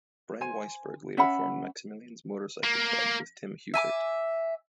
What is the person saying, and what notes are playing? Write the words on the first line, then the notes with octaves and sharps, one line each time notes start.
Bryan Weisberg later formed Maximillion's Motorcycle Club with Tim Huthert.
C5 G#5
C#4 E5 F#5 B5
A#3
E5 G#5 A#5 D6